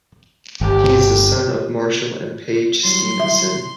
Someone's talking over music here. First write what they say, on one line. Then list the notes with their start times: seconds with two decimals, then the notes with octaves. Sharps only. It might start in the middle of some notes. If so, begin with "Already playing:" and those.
He is the son of Marshall and Paige Stevenson.
0.61 G1 G4
2.85 F#3 G3 E4 C6
3.20 E5